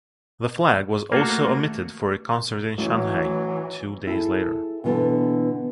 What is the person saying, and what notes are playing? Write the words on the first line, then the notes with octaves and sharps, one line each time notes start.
The flag was also omitted for a concert in Shanghai two days later.
A3 A#3 F4 F#4
A1 E3 F#3
E4 G#4 A4
B2 D3 E3 B3 D4 A4